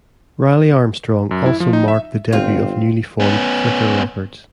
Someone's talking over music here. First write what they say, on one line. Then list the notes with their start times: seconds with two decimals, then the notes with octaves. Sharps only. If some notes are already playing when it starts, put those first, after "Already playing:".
"Riley Armstrong" also marked the debut of newly formed Flicker Records.
1.31 F#2
1.46 E4
1.60 F3
1.73 D#4
1.88 E5
2.32 G1 C4 F4
3.20 B3 C#4